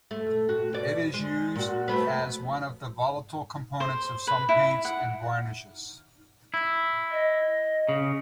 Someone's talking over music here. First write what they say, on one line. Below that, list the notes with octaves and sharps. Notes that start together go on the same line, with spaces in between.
It is used as one of the volatile components of some paints and varnishes.
A3
F#4
B2 D5
G#3
A#2 F#4
A3 B3 B4
C5
B4
E4
F#5
E4
D#5
C#3